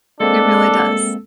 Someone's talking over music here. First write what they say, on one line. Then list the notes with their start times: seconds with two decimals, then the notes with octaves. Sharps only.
It really does,
0.20 G#3 A#3 C4 D4 A4